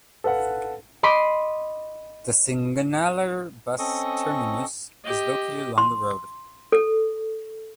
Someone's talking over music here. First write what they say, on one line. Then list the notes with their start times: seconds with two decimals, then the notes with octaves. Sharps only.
The Singanallur Bus Terminus is located along the road.
0.24 A4 B4 F5 F#5
1.03 D#5 B5 C6 D6
3.79 C4 C#4 A4 D#5 C#6 D#6
5.05 G4 D#5
5.78 C6
6.72 A4